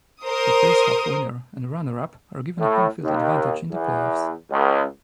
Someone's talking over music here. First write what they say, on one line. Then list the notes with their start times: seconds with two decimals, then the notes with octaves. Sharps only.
The first half winner and runner-up are given home-field advantage in the playoffs.
0.24 A#4 C5 D#6
2.60 A2
3.03 D#2
3.72 E2
4.52 C#2